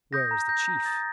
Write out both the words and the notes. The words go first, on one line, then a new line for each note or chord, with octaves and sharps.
"Where is the chief?"
D#6 G6 A#6
A#5
G6 A#6
A#5
D#6 A6